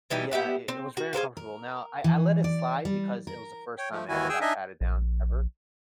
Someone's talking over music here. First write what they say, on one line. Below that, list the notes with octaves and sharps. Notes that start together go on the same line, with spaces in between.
Yeah, it it was very uncomfortable, now, I I let it slide because it was the first time I ever got patted down, ever.
B2 E3 G3 D#4
B3 G4 E5 F#5
C4
F#4
G#4 A#4 C5 F5
A#4
E3
D5
G3
A#4
C#5 G5
F3 A3
D#2 D#3 E3 E4 F#4 G#5
G#4 G5 G#5 E6
D4 D#4 D#5 E5 G#5
A#1